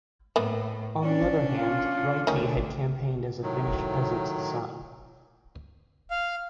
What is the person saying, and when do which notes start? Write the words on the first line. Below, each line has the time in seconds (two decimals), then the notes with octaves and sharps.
On the other hand, Ryti had campaigned as a Finnish peasant's son.
0.36 A2 A#3 B3
1.02 C#4 D4 D5
1.56 F4
2.27 D2 D#3 C#4 D4
3.43 A2 D#3 F#3
6.11 F5